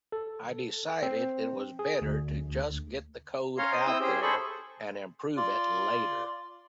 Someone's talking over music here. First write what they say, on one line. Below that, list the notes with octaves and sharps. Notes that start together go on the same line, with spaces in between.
I decided it was better to just get the code out there and improve it later.
A4
C4
G#4
D2
C#4 C#5 F5 A#5 C6
C5 D#5
C4 E4 D#6 E6 G6
C#4 G4 G#4 C5
G#4 A4 C5 B5 C#6
F4 D5